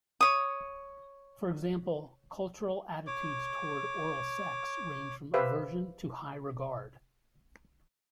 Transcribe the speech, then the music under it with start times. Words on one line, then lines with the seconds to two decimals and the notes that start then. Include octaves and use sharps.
For example, cultural attitudes toward oral sex range from aversion to high regard.
0.21 C#5 D#6
3.07 C#5 D6
5.34 G4 B4 C5 E5 F5